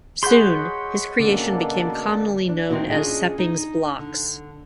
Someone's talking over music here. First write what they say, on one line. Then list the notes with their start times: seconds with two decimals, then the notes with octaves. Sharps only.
Soon, his creation became commonly known as Seppings Blocks.
0.23 G#4 C#5 D#5 F#5 B5 C6 G6
1.20 B2 D3 A#3 C#4 D4 A4 D5
2.49 D4
2.70 D2 D#3 C4 D#4 E4 F#4
2.90 C#4 D4 F4 G#4 D#5
3.38 D#4
3.99 D3